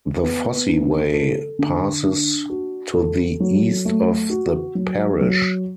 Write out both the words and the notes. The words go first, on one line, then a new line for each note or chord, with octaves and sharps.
The Fosse Way passes to the east of the parish.
B3
D4
A4
D3
D4
F#4
A4
F#3
A3
F#4
F#3
F#3